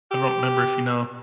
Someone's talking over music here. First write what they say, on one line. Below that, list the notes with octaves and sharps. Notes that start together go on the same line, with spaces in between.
I don't remember if, you know
G4